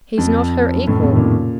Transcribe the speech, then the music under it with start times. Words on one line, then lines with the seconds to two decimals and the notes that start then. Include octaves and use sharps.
'He's not her equal.
0.18 F2
0.74 F#2
0.87 F2 A2
1.02 A2 C3
1.09 D#3
1.16 A#2 C#3